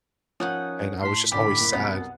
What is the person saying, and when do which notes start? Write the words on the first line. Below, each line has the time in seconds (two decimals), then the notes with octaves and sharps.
and I was just always sad,
0.40 F3 C#4 D#4 A#4 C#5 F#5 D#6
1.02 A2 A5 C6 F6 B6
1.32 A1 D3 G4 B5
1.60 F#1 E4
1.73 C2 F#2 B2 B3